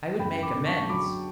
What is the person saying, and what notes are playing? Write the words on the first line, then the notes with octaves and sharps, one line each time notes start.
I would make amends.
F#2 G5 B5
B5 D6
D3
A5 C#6
F#3 B5 D6